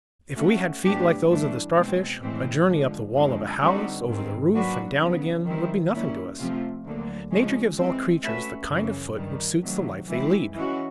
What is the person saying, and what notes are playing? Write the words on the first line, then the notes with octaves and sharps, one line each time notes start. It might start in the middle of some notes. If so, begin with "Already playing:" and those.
If we had feet like those of the Starfish, a journey up the wall of a house, over the roof, and down again, would be nothing to us. Nature gives all creatures the kind of foot which suits the life they lead.
A3 C#4 F#4
A2 F#3 B3 D4 G4
G2 E3 A3 D4
B2 G#3 C4
A2 E3 G#3 C4
D3 F3 G#3
F#2 D3 F3 G#3 C4
D3 G3 C4 D#4 F#4
G#2 D#3 G#3 C4
F#3 A#3 D4 F#4 B4
C#3 F#3 B3
D#3 G3 C4 E4
A#2 G3 A#3 C#4 E4
C3 F3 A3 C4 F4
D2 D3 F#3 A#3
C#3 F3 G#3 C#4
E3 G#3 C4
A3 C#4 F#4 B4 E5
F#2 C#3 E3
G2 D#3 G3
C3 D#3 F#3 A3
E3 G#3 C4 E4
E3 G#3 C#4 F#4